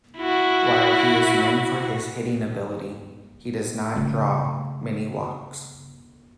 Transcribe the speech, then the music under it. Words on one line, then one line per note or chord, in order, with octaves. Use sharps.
While he is known for his hitting ability, he does not draw many walks.
E4 F#4
C#3 A3